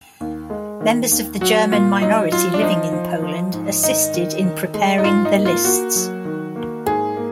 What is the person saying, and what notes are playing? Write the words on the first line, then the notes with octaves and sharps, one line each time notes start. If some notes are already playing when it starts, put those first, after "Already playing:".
Members of the German minority living in Poland assisted in preparing the lists.
D#2
G#3
D#3
D#2
F#3 F#4
A#2 F4
F#3 D#4
F#3 F4
D4
F3 D#4
F3
F3
G#2
D#3 D#4
D#3
D#3
G#3
D#4
G#2 F4
D#4
A#3
F4
A#3 F#4
F#3
D#3
A#3
G#2 G#4
A#3